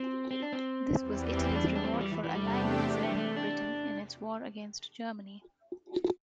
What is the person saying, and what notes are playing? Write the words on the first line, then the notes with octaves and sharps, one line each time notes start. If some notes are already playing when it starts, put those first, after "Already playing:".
This was Italy's reward for allying itself with Britain in its war against Germany.
Already playing: C4
C4
D4
C4
E2 E3 G3
C4
C4
D4
C4
D4
C4
E3
G3
E3
E3
E2 C3 G3 A3 D4 G4
A3
G3
A3
D4